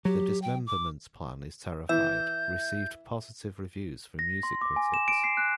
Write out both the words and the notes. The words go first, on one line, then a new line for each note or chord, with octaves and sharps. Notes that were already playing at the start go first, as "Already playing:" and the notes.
"The Dismemberment Plan Is Terrified" received positive reviews from music critics.
F#3 G4
G5
D6
E3 E5 G6
A#6
C6
D6
G#5
E7
D7
C7
F#6